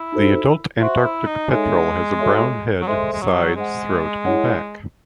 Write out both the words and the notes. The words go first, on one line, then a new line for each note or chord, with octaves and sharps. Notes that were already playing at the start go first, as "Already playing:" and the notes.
The adult Antarctic petrel has a brown head, sides, throat, and back.
Already playing: E4
D#4 F#4 A4 C5
F#4 C5 E5 C6
E4
D#4
G#3 D#4 A4 C#5 E5 G#5
F#4 A4 C#5 E5 C6
F#3
G#3 A4 C5 E5 C6
G#3
F#3
G#3 G#4 C5 D#5 F#5
E4 G#4 C#5 F#5